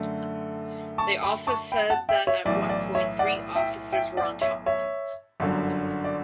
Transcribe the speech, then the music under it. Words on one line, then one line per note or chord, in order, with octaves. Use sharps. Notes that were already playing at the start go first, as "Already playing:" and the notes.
They also said that at one point three officers were on top of him.
Already playing: F#2 D3 A3
A5 C#6
G5 B5
A5 C#6
G5 B5
F#5 A5
E5 G5
C#5 E5
B1 A2 E3 D5
D5
C#5 E5
D5 F#5
E5 G5
E5 G5
D5 F#5
C#5 E5
C#5 E5
G1 F#2 D3 F#3
D5